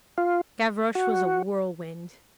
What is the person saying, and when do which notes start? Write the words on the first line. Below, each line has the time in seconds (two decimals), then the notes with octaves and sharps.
Gavroche was a whirlwind.
0.18 F4
0.95 F#4